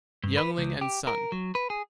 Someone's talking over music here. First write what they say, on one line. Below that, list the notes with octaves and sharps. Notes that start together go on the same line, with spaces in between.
Yuengling and Son.
G2
B4
C#2
G4
A#4
F#3
B4
G#4